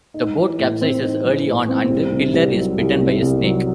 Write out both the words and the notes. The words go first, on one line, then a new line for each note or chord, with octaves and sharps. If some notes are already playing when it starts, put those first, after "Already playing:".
The boat capsizes early on and Pilar is bitten by a snake.
D#4
E3
A2
C4
D#4
E3
A2
C4
C2
C3
C2
F#3
C2
C3
C2
F#3